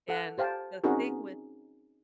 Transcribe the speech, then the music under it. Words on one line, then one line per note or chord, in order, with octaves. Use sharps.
and the thing with
A4 F#5
G4 C5 F5 G5 A5
C4 C#4 D#4 F#4 G#4 A#4